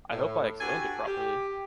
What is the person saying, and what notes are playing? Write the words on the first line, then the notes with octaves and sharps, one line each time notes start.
I hope I explained it properly.
A2
D4 F#4 G4 A4 B4 G#5
G4